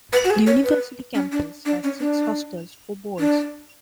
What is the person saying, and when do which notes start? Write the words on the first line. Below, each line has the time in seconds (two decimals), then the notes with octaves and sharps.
The university campus has six hostels for boys.
0.13 B4
0.25 F#4
0.30 G#4
0.47 C#5
0.64 B4
1.14 C#4
1.32 D4
1.65 D4
1.84 C#4
2.00 D4
3.19 D4